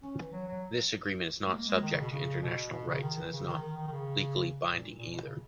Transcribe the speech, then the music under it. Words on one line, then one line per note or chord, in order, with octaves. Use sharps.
This agreement is not subject to international rights and is not legally binding either.
C#4
E3
F#3
F#3
G#3
A#3
G#3
D#3
C#3
B2
C#3
B2
B2
C#3
D#3
E3
C#3
D#3
D#3
D#3
D#3
C#3
A#2
A#2
B2
C#3